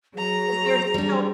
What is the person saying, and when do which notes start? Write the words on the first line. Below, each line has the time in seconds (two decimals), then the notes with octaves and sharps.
'cause there's so
0.15 F#3 G#4 A#5
0.94 G3 D4